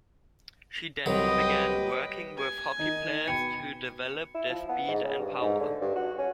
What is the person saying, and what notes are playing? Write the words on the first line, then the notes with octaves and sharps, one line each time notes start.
She then began working with hockey players to develop their speed and power.
C2 F#3 G4 B4 D#5 G5
G#5
D#3 D#4
B2 G5 B5 C#7
E4
F3
B3
G#2
C#3
G2
G#2
D3
G2
F#4
C#4